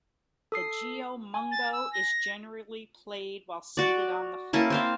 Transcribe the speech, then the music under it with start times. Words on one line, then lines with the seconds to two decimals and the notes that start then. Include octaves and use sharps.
The "geomungo" is generally played while seated on the floor.
0.52 A4 D#6 C7
1.34 G#5
1.51 A6
1.72 E6
1.93 A#6
3.77 F#4 D5
4.53 A#3 C#4 E4 A5
4.70 C4 C5 F5